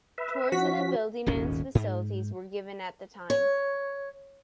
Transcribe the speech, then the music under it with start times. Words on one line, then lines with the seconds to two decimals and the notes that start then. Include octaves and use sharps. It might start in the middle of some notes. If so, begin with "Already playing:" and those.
Tours of the building and its facilities were given at the time.
0.18 B4 E5
0.52 F3 C#4 F#4 B6
1.26 D#1 G#1 D#2 C#4
1.75 G#2
3.30 C#5